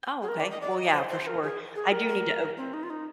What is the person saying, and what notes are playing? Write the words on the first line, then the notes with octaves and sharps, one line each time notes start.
Oh, okay, well, yeah, for sure, I do need to o
G#4
A#4
D5
D#5
D5
D#5
C5
C5
A#4
G#4
G#4
A#4
C4
D#4
F4
D#4